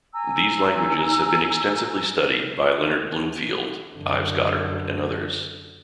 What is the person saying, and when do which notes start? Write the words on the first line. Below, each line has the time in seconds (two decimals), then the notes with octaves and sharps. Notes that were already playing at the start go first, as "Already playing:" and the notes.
These languages have been extensively studied by Leonard Bloomfield, Ives Goddard, and others.
0.14 G#5 A#5 E6
3.94 F#2 D3